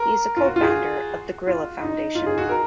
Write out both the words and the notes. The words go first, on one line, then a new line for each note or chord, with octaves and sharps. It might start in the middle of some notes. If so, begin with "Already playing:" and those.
He is a co-founder of The Gorilla Foundation.
Already playing: A#4
F4
F#4
F4
G#4
F#4
F4
D#4
F4
G#4
F#4
A#4